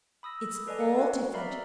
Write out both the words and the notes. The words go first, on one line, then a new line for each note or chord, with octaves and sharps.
It's all different.
B5 D#6 E6 A#6
A4 B4 D5 D#5 G#5
F#6 C#7
F#4
A#4 D5 E5 F5 A#5 B5